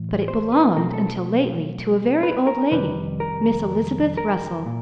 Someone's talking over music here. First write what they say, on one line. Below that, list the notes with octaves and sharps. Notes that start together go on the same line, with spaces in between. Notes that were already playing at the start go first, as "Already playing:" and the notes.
But it belonged until lately to a very old lady, Miss Elizabeth Russell.
Already playing: A2 E3
C5
B4
B2 F#3 A3 C4 A#4
A4
B4
A#4
F2 C3 D#3 G3 B4
A#4
A#4
A#2